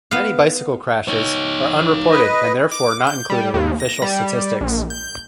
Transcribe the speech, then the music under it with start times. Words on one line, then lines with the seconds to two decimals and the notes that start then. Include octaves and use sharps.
Many bicycle crashes are unreported and therefore not included in official statistics.
0.11 B3 F5
1.08 D#4 C#5
2.10 B4 D#5
2.71 D6
3.07 G6
3.30 G3
3.54 D#2
3.80 A#6
4.02 G3
4.61 A#1
4.90 G6